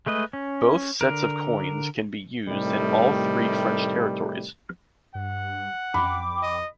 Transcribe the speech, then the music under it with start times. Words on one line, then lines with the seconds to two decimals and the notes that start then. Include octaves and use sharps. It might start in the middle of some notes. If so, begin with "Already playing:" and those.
Both sets of coins can be used in all three French territories.
0.06 G#3 A3 B4 D#5
0.33 C#4
1.01 D3 A#4
2.49 A2 C3 D#3 G3 A3
5.15 G2 F#5
5.94 F2 G5 B5 D6
6.42 D#5